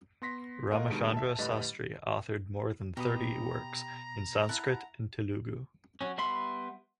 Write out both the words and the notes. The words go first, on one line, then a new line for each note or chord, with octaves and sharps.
Ramachandra Sastri authored more than thirty works in Sanskrit and Telugu.
B3 C6 A#6 B6
A3 A#3 F4 A#4 D#5 F#5
B2 D3 D#3 G3 G#3
E5 A5
A2 D3 G3 B4 D#5 A6
B2 G4 A#5 B5 D#6
E4 F#5 A5
F#3 C#4
G3 B3 E5 B5 C6